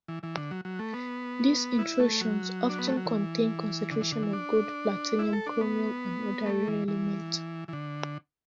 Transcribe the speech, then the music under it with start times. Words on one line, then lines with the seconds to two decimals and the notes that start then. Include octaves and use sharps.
These intrusions often contain concentrations of gold, platinum, chromium and other rare elements.
0.08 E3
0.23 E3
0.37 D3
0.51 F#3
0.65 F#3
0.79 A3
0.93 B3
1.79 E4
2.00 A3
2.21 F#3
2.69 D4
2.79 B3
2.87 A3
2.97 F#3
3.06 E3
3.91 D3
4.01 E3
4.12 D3
4.22 E3
4.33 D4
5.19 E4
5.33 A4
5.46 D4
5.61 B3
6.46 A3
6.68 E3
6.88 E3
7.68 E3
7.73 D3